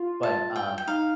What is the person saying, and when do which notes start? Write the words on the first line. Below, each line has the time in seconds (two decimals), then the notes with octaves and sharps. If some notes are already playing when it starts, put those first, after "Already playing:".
but, um.
Already playing: F4
0.23 A5
0.56 G5
0.78 G5
0.87 D#4 F5